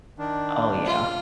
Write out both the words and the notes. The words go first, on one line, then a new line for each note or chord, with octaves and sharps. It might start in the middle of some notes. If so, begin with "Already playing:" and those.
Oh yeah.
D#3 D4
F4